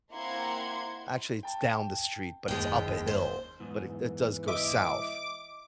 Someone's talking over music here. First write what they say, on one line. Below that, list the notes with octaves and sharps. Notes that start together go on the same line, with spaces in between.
actually, it's down the street, but it's up a hill, but it it does go south.
A#3 C4 E4 F#5 C6 G#6
G5 A5
F#1 D#2 G#3 G5
C5
E2 G#2 E3
D#5 E5 D6